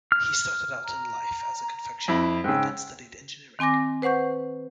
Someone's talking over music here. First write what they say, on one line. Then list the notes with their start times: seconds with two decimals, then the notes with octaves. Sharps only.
He started out in life as a confectioner, but then studied engineering.
0.12 F6
0.86 A#5
2.08 F2 E4
2.44 G#2 C#3 G5 E6
3.59 D#3 C4 G#5 D6 A#6
4.02 B4 C5 F#5 C#6 G6